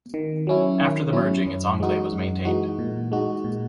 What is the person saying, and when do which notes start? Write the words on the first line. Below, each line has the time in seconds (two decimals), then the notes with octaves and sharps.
After the merging its enclave was maintained.
0.14 D#3
0.47 F#3 C#4 E4
0.80 D#3
1.13 F#3 C#4 E4
1.46 F#2
1.80 E3 G#3 D#4 F#4
2.12 F#2
2.45 E3 G#3 D#4 F#4
2.79 A#2
3.12 G#3 D#4 F#4
3.44 A#2